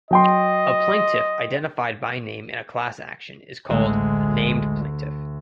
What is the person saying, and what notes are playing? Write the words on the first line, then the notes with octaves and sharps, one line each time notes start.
A plaintiff identified by name in a class action is called a named plaintiff.
F#3 D#5 G5 C6
A1 D2 A2 G#3